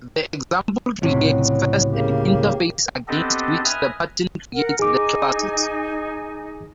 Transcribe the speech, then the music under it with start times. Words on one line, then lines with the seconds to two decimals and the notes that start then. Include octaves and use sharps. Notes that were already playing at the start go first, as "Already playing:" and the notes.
The example creates first an interface against which the pattern creates the classes.
1.02 C#2 A2 C3 F#3
1.91 C#3 A#3 G4
3.08 B3 C4 D4 G4 A4 D#5
3.65 B4 D#5 E5 G#5 D#6 F6
4.53 A#4 F#5
4.79 D#4 G#4 G#5 D6